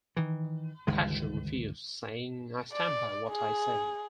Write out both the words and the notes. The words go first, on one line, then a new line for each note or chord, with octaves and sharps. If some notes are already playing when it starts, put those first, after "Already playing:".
Thatcher refused, saying I stand by what I said.
D#3 E3
G1 C#2 D#3 G#3
D5
G#4